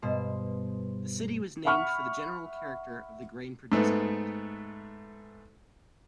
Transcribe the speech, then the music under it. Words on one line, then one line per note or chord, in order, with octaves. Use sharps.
The city was named for the general character of the grain-producing region.
G2 B2 C5
E5 F#5 B5 C#6 F6
G#2 A3 B3